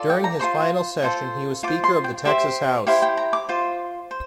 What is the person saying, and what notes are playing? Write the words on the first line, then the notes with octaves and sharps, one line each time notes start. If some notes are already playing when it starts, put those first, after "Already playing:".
During his final session, he was Speaker of the Texas House.
Already playing: F4 A4 D5
G5
A#5
F4 A4 C5 C6
F4 A4 C5
F4 C5 D6
C6
G5
G4 C5 E5
E4 G4 C5 F5
G5
A#5
D6
F4 C5
C5